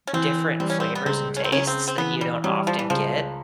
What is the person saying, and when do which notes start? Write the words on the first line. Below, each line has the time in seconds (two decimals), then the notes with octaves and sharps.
different flavors and tastes that you don't often get,
0.07 C#4
0.13 E3 C4
0.60 G3 C4
0.70 C#4
0.80 C4
0.95 B3
1.05 C#2 C4
1.37 C#4
1.44 C4
1.52 C#3 C#4
1.67 C4
1.88 C4
1.98 E3 B3
2.21 G3
2.44 F#3 G3
2.67 F3
2.79 E3
2.90 C#2 F3